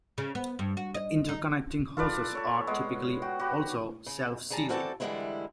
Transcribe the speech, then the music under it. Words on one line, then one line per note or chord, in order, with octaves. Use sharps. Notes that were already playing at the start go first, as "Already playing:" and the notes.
The interconnecting hoses are typically also self-sealing.
C#3
B3
G2
F#4
D#5
D#4
F4 A4 B4 D5
A4 C#5
G#3 B3
F#4 G5
F#4 G4 B4
C#3
C#3 G3 G#4 A5 A#5
E3 C4 F#4 A4 D5 A5
D3 E3 G3 G#3 C4 E4